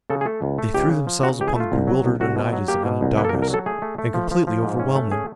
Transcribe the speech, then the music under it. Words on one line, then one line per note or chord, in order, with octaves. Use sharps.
They threw themselves upon the bewildered Oneidas and Onondagas and completely overwhelmed them.
C#3 A4
G#4
A3 A4
C#2
A3
C#2 G4
C#3
F3
C#3 F#4
C#2 G4
G#4
A3 F4
C2
F#3
C2
C2 F#4
B2
F#3
A#3 G4
B2
C2
A#3 B4
A4
A#4
C2
A#4
F#3 A4
A3 G#4
A3
A3
F3
F3
F3
G#2
C#4
A3
C#4 G#4